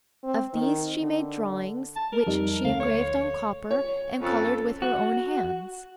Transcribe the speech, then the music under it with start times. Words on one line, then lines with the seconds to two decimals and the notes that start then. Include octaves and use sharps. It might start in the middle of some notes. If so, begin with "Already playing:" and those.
Of these she made drawings, which she engraved on copper, and coloured with her own hands.
0.23 C4
0.54 D#3
1.00 D3
1.96 A5
2.13 A#4
2.27 F2 G3 D#4
2.65 D2 A3 F5
2.80 C#5
3.71 C#5
4.20 F2 C#4 A4
4.82 F#4